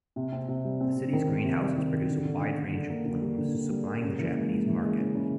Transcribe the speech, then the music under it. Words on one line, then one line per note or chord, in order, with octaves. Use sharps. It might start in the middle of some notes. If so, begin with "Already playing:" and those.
The city's greenhouses produce a wide range of blooms, supplying the Japanese market.
C3
C4
C3
G3
C4
C3
D#3
D#3
C3
G3
D#3
D#3
D3
D3
D3
D3
D3
A#3
D3
G3
D3
D3
G3
A#3
C#3
E3
G#3
G#3
E3
G#3
C#3
C#3